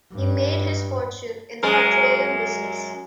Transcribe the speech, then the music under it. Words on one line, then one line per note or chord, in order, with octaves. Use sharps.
He made his fortune in the petroleum business.
G2
F#2 G#3 A#4